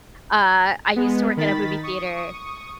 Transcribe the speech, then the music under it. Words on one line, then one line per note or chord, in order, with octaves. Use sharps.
uh, I used to work in a movie theater,
G#3 B3
D#3 B5 A6 B6
C#6 D#6